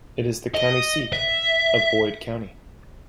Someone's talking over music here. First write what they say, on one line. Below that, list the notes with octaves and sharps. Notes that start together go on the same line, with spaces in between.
It is the county seat of Boyd County.
D#5
E5